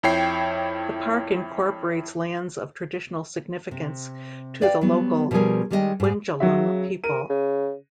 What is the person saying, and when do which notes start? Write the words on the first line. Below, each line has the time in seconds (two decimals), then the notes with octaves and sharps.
The park incorporates lands of traditional significance to the local Bundjalung people.
0.03 F2 E4 C#5 G5 C7
3.71 C3
4.61 B4 D5 F5 G5
4.81 F#3 G3 B3
5.31 B2 F3 G3 C#4 G#4 A#4
5.70 D#3 G3 G#3 F#4 D#5 G5
6.00 G#2 G#3
6.40 C#3 F#3 F#4 E5
7.04 A#4 D#7
7.30 C#3